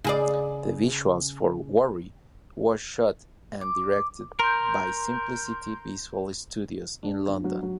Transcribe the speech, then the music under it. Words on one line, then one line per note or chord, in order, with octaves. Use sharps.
The visuals for "Worry" was shot and directed by Simplicity Visual Studios in London.
C#3 G#4 D5
D6
A#4 C6 G6
D4
G1
F#3
F#3